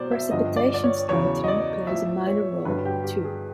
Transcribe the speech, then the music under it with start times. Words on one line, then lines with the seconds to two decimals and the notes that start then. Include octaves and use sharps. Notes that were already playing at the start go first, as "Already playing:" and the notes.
Precipitation strengthening plays a minor role, too.
Already playing: B2 F#3 C5 D5
0.11 E5
0.30 G2 D3 F3 D#5
0.56 D5
0.74 D5
0.84 C#5
1.09 E2 C#3 F#3 C#5
1.44 D#5
1.48 D5
1.87 A2 F3 E5
2.27 C#5
2.65 G2 D3 F#3 B4
2.85 G4
3.04 G4
3.24 G#4